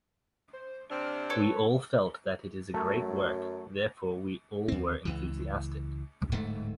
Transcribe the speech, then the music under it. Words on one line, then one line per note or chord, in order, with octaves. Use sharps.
We all felt that it is a great work, therefore we all were enthusiastic.
C5
C3 C4 D4 F6
A4 B4 C#5
F#2 F#3 A3
D#2 C4
C#2 E3
D1 G#2 A3